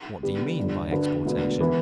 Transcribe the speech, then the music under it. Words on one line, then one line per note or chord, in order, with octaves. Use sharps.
What do you mean by Exportation?
D3 G3 B3
G1 G2 D3
D2 D3 A3 D4 B4
E1 D2 D3 B3
E3 B3